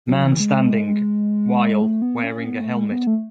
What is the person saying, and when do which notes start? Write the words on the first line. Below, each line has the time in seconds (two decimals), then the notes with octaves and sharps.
Man standing wile wearing a helmet.
0.08 F#3
0.24 E3
0.40 G#3
1.82 A3
2.02 B3
2.24 C#4
2.45 B3
2.61 A3
2.76 G#3
2.92 B3
3.07 A3